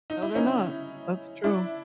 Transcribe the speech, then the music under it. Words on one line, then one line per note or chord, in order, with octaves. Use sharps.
No, they're not. That's true.
D#4
E4
C#4 D#4
D4 E4